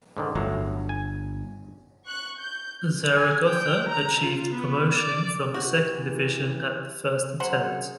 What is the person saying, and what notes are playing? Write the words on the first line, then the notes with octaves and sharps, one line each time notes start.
Zaragoza achieved promotion from the second division at the first attempt.
G#2 D3 D#3
G1 A2 F#3
G#5
C#6 F#6
G6
G#5
G5
A#5
F4
B3
D5
E3 F#4 G4
F#2 F#3 G#4 C5 F#5